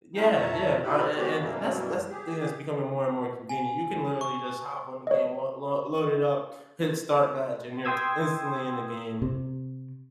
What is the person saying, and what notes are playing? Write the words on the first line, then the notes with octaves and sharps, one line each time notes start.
yeah, yeah, uh, and and that's that's the thing that's becoming more and more convenient. You can literally just hop on the game, l load it up, hit start match, and you're instantly in the game,
C#4 E4 G#4 F5 G5 A#5
F2 A#2 C#5 E5 A5 A#5
B2 D#4 E4 G4 B4 B5
F#3 G#3 B3 F#4 G4
F#2 B2 E3 F#3 G3 A#3
G4 G#4
G#5
C#6
C#5 D#5
G5 C6 D#6 E6 G#6
C3